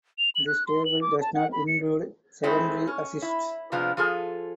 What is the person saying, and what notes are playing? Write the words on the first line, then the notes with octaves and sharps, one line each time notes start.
This table does not include secondary assists.
F7
F#7
F#6
C6
F#7
D6
A5
F#5
B5
C#7
E3 G#3 A3 C4 E4
C#4
E4
C3 F3 G#3 B3 D4 F4
F3 F4 G#4 A4